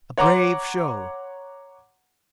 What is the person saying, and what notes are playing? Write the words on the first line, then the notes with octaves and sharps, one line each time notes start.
A brave show.
C#5 F#5 A#5 C6 D6